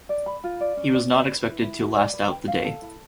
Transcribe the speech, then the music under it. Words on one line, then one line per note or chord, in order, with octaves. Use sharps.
He was not expected to last out the day.
D5
B5
F4
D5
C#4
D5
B4
B4
E4
E4
F#4
D5
B4
G5
F5
A4
E4